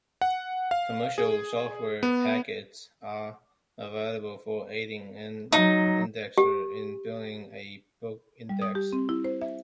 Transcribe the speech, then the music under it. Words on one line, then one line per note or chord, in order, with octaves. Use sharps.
Commercial software packets are available for aiding an indexer in building a book index.
F#5
F5
G#4
B3
F#3 D#4
G4
G3
D#6
G4
C4
E4
C5
E5